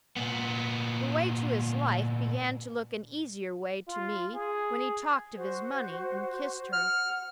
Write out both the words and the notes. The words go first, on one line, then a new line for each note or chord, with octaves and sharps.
The way to his life began to look an easier way to me when he talked of his money, and kissed her.
A#2 B3
F4
G#4
F#4 C5
F#5 F6